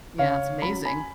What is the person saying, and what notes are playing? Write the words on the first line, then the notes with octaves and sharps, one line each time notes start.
Yeah. It's amazing.
C#3 C#5 F5
F#3 C#4 B5
G#5 B5